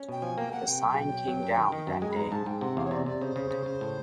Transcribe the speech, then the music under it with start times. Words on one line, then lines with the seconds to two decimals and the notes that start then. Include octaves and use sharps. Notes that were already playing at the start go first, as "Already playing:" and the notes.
The sign came down that day.
Already playing: C#4
0.09 B2 G5
0.22 F3 G#5
0.38 A#3 G5
0.53 A#3 F#5
0.68 C3 G5
0.83 B1
0.98 B2
1.12 F#3
1.28 F#3
1.43 F#2
1.57 D#3
1.72 D#3
1.87 F#2
2.02 G#3 G#5
2.11 B5
2.16 G#2 A#5
2.32 G#2 A5
2.46 G#2 G5
2.61 C3 F#5
2.77 E2 F5
2.85 C#5
2.91 C3 D5
3.06 C3 D5
3.21 C#3 C5
3.36 C#3
3.51 C#3
3.66 C#3
3.81 A2